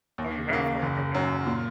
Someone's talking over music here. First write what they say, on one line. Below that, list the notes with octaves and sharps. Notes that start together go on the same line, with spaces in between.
Oh, you have started? Okay.
D#2
C#3 A#3
F#1
F#2 F#3
A#2